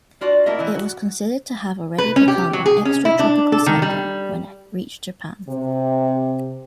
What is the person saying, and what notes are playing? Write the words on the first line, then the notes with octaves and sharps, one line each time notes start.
It was considered to have already become an extratropical cyclone when it reached Japan.
D4 F4 F#4 D5
A3 A#3 E4 D#5
E3 E4
F#4
B4
C#4
G4
F#3
G#4
C#4
E4
D4
A4
D#3
G3
C3